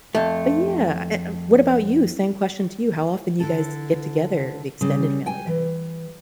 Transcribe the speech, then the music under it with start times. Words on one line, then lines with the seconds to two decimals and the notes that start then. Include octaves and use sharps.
but yeah, eh, uh, what about you? Same question to you, how often do you guys get together, the extended family that is?
0.15 F2 A3
3.40 D3 E4 A4
4.81 C#3 G3
5.26 G5 G#5
5.47 E3